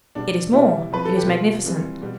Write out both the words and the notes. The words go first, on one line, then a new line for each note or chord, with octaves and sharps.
"It is more--it is magnificent."
B2 G3 D4
B2 G3 E4
C3 F3 B4
A4
G4
B2 G3 F4
C3 E3 G3
B2 G3